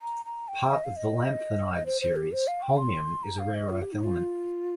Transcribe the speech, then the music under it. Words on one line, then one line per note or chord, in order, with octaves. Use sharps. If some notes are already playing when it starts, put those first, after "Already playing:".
Part of the lanthanide series, holmium is a rare earth element.
A#5
A#5
G5
D#5
F5
D#5
D#5
C5
C5
G4
C5
F5
G5
C6
A#5
F5
D#5
F4
G4
D#4
F4